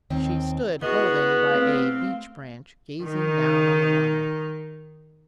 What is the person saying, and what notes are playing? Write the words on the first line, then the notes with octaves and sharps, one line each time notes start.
She stood holding by a beech-branch, gazing down on the water.
D#2 D#3 C4
B3 E4 F#4 G#4 D#5
A3 C4 F5
D#3 D#4